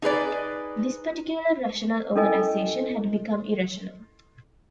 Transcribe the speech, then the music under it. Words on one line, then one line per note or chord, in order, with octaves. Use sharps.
This particular rational organisation had become irrational.
D#4 G#4 B4 D5
C#4 E4 A4 A#4 D#5 G#5